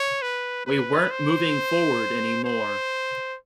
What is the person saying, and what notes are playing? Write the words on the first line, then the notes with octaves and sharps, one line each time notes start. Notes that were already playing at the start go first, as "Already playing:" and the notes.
We weren't moving forward anymore.
Already playing: C#5
B4
B4
C5
C5